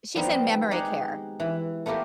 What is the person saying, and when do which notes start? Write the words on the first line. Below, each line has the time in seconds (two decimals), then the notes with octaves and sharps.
She's in memory care.
0.15 D#3 F3 G3 B3 C4 D#4
0.29 D#5
0.71 G#3 D#4 G4 F#5
1.40 E3
1.86 A3 B3 F4 G4 A#4